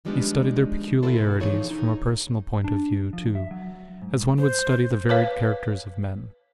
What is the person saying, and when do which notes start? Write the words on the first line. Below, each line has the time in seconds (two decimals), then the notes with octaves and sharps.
He studied their peculiarities from a personal point of view, too, as one would study the varied characters of men.
0.05 D#3 F3 G3 G#3 B3 D4
1.03 B2 B3 E4 A4 C5
1.40 E3 F3 D#4 G#4 A4 C#5
1.71 D#4
2.64 D4
3.13 F3
3.35 E5
3.51 F#3
4.02 G#2
4.38 C5
5.09 B4 C#5 F5